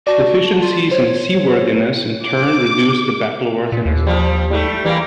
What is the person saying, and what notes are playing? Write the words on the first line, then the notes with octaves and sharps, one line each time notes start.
Deficiencies in seaworthiness in turn reduced the battle-worthiness of the fleet.
F#4 D5 A5
F4
C5 C#5
D6
A#2
D#2
F3 G3
G3 A3
E3 G3 A#3